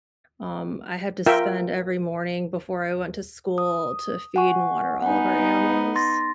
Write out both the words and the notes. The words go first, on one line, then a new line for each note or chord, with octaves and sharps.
Um, I had to spend every morning before I went to school to feed and water all of our animals.
F4 A#4 E5 G5
D#6
F#5 G#5 C#6
B3 D#4 F#5 G#5
C6 A6 A#6